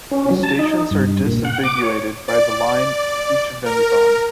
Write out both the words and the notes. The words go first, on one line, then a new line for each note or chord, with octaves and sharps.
These stations are disambiguated by the line each of them is on.
C#4
F#3
A5
D#4
G2
A#2
F#5
D6
C#5
D5
A#4